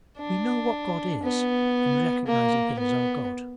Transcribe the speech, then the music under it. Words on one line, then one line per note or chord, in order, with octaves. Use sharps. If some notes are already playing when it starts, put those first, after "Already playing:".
We know what God is in recognizing him as our God.
D4
B3
A#3
B3